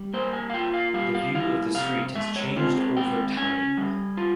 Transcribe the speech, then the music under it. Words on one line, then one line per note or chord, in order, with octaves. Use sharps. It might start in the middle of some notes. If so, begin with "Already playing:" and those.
The view of the street has changed over time.
Already playing: G3
A#3 C5
G#5
F5
F4 G5
F5
G3 F5
F5
E4 F5
C3 F5
G#3 E5
C#5
C4 F4
G#4
G#3 G5
C#4 G#5
G3
F4